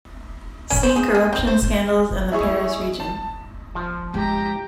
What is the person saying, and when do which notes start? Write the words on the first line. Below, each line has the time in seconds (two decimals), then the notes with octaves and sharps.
See corruption scandals in the Paris region.
0.70 C#4
0.83 C5
0.96 G#4
1.15 G#4
1.33 C4
1.47 C5
2.32 E4 G#4 C#5 D#5
3.00 A5
3.75 F3 A5
4.14 G#3 G4 A#5